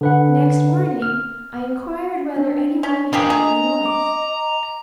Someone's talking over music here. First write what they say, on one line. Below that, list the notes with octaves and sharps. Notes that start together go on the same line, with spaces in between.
Next morning I inquired whether any one had heard a noise.
D3 B4 F#5
F6
D4
C#4
A#3 F4 G4 G#4 G5
G#4 D#5 A#5
D6